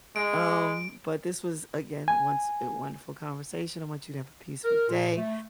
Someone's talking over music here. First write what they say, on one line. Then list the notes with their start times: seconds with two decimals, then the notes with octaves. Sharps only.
Um, but this was, again, once, a wonderful conversation. I want you to have a peaceful day,
0.16 G#3 D7
2.08 G#5
4.64 A#4
4.88 A#2
5.17 A3